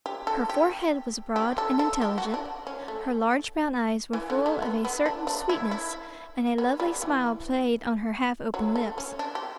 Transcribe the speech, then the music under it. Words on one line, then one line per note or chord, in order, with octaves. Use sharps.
Her forehead was broad and intelligent, her large brown eyes were full of a certain sweetness, and a lovely smile played on her half-opened lips.
G4
A4
G4
G4
A4
A4
G4
F#4
D4
C#4
A3
E3
D3
A3
B3
B3
D4
D4
E4
E4
B3
G3
E3
F#3
A3
C#4
D4
G4